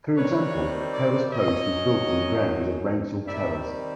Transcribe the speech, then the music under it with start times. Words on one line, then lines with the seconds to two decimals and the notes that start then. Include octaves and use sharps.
For example, Towers Close was built on the grounds of Rouncil Towers.
0.17 C3 D#3 G3 B4 C#5
0.94 C5 D5
1.33 C#5 D#5
1.72 F#2 D#3 F#3
3.27 C3 D#3 G3 D5 E5